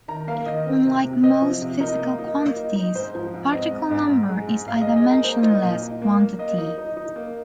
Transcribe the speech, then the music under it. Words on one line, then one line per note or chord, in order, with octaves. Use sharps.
Unlike most physical quantities, particle number is a dimensionless quantity.
D#3 A#5
A#3 F5
D#3 D#5
C4
C3
C3
C4 D#5
F3
C3
D#4 A#4
A#3
D#4
A#3
D#4
D#4
G#2 C5
F3
G#2
C4 D#5
G#2
G#2
G#2
G#3
G#2
G#3 F5
D#5
G#3
D#5
D#4
A#4
A#3 C5
D#4
A#2
D#4
A#3
A#3
A#3 D#5
D#4
D#4
D#4
A#3